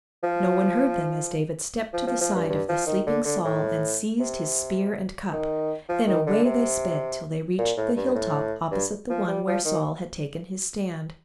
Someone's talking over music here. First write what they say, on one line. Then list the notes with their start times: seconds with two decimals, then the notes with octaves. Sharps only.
No one heard them as David stepped to the side of the sleeping Saul and seized his spear and cup; then away they sped till they reached the hilltop opposite the one where Saul had taken his stand.
0.23 F3
1.93 F3
2.07 F3
2.21 F3
2.35 G2
2.49 G2
2.69 F3
2.87 D#3
3.06 D3
3.25 D3
3.44 A2
4.19 C3
5.32 D#3
5.89 F3
6.07 D#3
6.26 D3
6.45 C3
7.59 A#2
7.77 A2
7.96 G2
8.14 A2
8.71 G2
9.09 F3
9.28 G3
9.47 F3
9.65 D#3